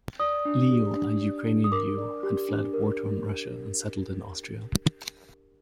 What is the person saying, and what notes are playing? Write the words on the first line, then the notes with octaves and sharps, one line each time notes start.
Leo, a Ukrainian Jew, had fled war-torn Russia and settled in Austria.
D5 D#6
D4
G4
D4
D5
D4
D#6
A#4 D6
D5
G4
D4
A#4